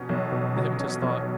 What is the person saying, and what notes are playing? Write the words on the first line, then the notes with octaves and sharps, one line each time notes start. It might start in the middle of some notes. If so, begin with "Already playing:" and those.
The hypnotist thought.
Already playing: B2 F#3 C#4
B1
B2
F#3
C#4
B1